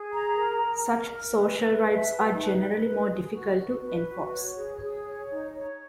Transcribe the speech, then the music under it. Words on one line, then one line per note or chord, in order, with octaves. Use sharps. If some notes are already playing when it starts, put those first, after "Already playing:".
Such social rights are generally more difficult to enforce.
Already playing: G#4
A#5
A#4
A#4
A#4
A#4
B4
B4
E5
B4
D#4
B4
B4
G#4
F#4
F#4
B4
F#4
C#5
G#4
G#4
C#5
D#4
C#5